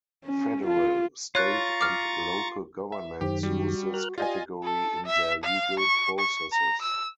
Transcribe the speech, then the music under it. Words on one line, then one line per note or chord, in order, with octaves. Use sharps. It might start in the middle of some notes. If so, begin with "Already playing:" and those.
Federal, state, and local governments use this category in their legal processes.
C#4
F4
F4 C#5 A#5 C#6 F#6 A6
D6 F6
E5
F#2 D#3 G4 C5
G3 F#4
A#4 F6 F#6
F4 G4 D5 D#5 G#5
A4
E5
F5
C#6
C#6
A#5
E6